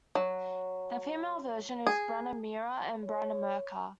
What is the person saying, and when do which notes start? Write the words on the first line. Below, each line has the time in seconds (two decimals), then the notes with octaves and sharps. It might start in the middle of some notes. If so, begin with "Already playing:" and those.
The female version is Branimira and Branimirka.
0.15 F#3
1.87 G#4
3.04 C#5